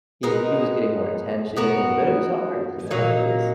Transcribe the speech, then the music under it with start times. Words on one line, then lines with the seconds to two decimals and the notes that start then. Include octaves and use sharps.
“he he was getting more attention. And but it was hard, you know? It was
0.23 G#3 B3 D#4 A#4
1.57 B3 F#4 A#4
2.91 A#2 F#3 A#3 D#4